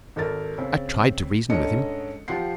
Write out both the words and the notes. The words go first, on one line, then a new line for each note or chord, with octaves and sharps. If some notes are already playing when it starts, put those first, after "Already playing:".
I tried to reason with him.
G#1 A4 A#4 A6
C#3 C4
G#2 C#4 D4 A4 D#5 C#7
F3 F4 G4 F#5 C7